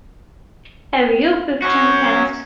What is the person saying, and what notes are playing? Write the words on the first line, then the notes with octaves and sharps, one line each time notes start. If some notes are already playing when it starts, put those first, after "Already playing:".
Have you fifteen cans?
C#4 F#4